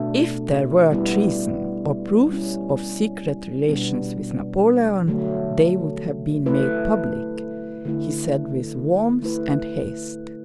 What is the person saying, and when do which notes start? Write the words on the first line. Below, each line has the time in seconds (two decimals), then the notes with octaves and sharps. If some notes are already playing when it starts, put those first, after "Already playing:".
"If there were treason, or proofs of secret relations with Napoleon, they would have been made public," he said with warmth and haste.
Already playing: B2 A3 D4
0.91 G3 B3 E4
2.29 G3 C#4 E4
3.69 B2 G3 B3 D4
5.08 D3 F#3 A3
6.46 A3 E4 B4
7.85 D3 A3 E4
9.23 A3 E4 B4